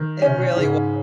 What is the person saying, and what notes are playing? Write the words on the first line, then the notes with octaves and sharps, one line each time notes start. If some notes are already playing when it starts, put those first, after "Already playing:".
It really was.
Already playing: D#3
C3 C#4
B2
A#2
A2
G#2 C#3